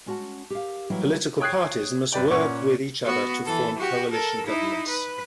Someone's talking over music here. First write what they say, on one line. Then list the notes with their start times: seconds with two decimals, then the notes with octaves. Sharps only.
Political parties must work with each other to form coalition governments.
0.06 G#3 C#4 F#4 F#5 A5
0.50 G4 A#4 F5
0.90 E3 F#3 G3 A#3 E4 G5
1.40 C#5 G5 D#6 F#6 G#6 C7
2.12 F#2 B4 D5 G5
2.30 A#2 C#4 F#5 C#6
3.05 B3 F#4
3.46 E3 A4
3.78 F#4 G4
4.11 A4 A#4
4.46 D#4 E4
4.88 B4